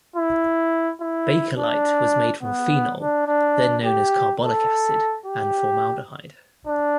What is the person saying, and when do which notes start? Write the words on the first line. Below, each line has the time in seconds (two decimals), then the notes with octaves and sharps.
Bakelite was made from phenol, then known as carbolic acid, and formaldehyde.
0.16 E4
1.01 E4
1.57 D4
2.42 B3
2.99 D4
3.27 D4
3.84 G4
4.41 A4
5.26 G4
6.67 D4